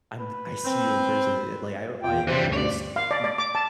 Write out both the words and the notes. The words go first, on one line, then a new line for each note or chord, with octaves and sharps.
I'm I see you in person, eh, like, I I almost b
B4
C4
E2 F4 G5
E3 G3 C5
D2 G2
C#5 D5
F5
D5
D5
D6
A5